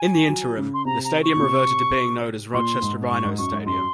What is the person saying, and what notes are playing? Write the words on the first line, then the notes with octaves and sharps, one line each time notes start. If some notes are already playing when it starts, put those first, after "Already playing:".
In the interim, the stadium reverted to being known as Rochester Rhinos Stadium.
Already playing: G#5
D#3
F#3
C#3
C6
C3 A#5
A#5
C#6
A#2
C3
A#2 C6
G#2
G#2 C#6
G#2
F#2 C#6
G#2
F#2 C6